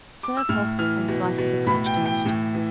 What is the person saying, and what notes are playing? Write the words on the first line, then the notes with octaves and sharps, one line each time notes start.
Serve hot on slices of French toast.
D6
E6
A2 F6
E3 F6
B2
B2
A2 B5
G5
E3
G5
A2
E3